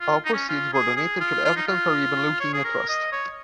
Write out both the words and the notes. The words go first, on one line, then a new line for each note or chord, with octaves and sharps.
All proceeds were donated to the African Caribbean Leukaemia Trust.
F4
D#4
C#4
F4
G#4
G#4
F4
F4
D#4
F4
C#5
G#4
A#4
D#5
C#5